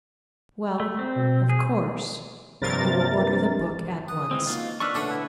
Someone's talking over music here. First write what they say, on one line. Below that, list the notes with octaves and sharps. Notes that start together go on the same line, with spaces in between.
Well, of course, you will order the book at once.
A3
C4
B2
G#4
A#1 G2 C3 A#4 A6
F#5 D#6
E3 G#3 C4
A#3 D#4 F4 F#4
D4 B4 D5 C#6 E6 F6
B2 D3 A3 D4 A4 B4 C#5 F#5
E4